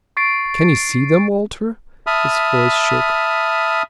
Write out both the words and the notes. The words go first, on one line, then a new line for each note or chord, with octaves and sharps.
"Can you see them, Walter?" His voice shook.
C#6 A6 C7 D7
E5 A5 B5 D#6 F6